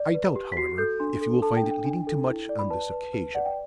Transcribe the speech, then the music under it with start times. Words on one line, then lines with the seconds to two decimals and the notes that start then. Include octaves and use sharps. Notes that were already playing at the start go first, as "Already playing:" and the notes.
I doubt, however, if you will find it leading to much on this occasion.
Already playing: D5
0.14 B4
0.36 G4
0.52 B6
0.57 F#4 C7
0.78 A4 G6
1.00 D4 C6
1.21 A4
1.42 A4 A5
1.57 G5
1.63 D4
1.71 G5
1.85 D4
2.07 A4
2.28 E4
2.49 D5
2.59 B5
2.71 B4 A5
2.92 B4
3.13 B4
3.35 D5 F#5
3.46 G5